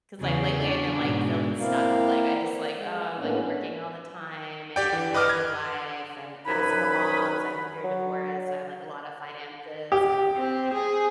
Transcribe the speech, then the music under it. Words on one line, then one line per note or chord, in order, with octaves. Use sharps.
'Cause, like, lately, I've been, like, feeling stuck. Like, I just, "Oh, I'm, like, working all the time, and I have no life, and I'm a single mom, so I've been through a divorce. So I have, like, a lotta finances," and
E2 C#3 G#4
C#4 D4
G#2 B2
A#3 C4 E4 A#4 D5 F5
G#3
A2 G#3 A#3 B3 C#4 D4
G4 D5 G5
E3
B4 D#5 D6 F6
G#6
C2 F#2 D#4 B4 G#5 B5
F#3
G4
C4
G#4